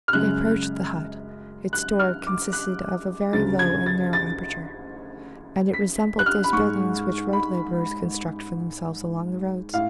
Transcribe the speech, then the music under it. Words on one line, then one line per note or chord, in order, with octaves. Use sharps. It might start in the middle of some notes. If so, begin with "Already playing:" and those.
He approached the hut; its door consisted of a very low and narrow aperture, and it resembled those buildings which road-laborers construct for themselves along the roads.
F6
F#2 C#3 G#3 F#6
F#6
F6
D6
F#6
D2 C#3 F#3 A6
G#6
A6
A6
B6
F#6
F6
B5
G#2 G#3 C#6
B5
A2 F5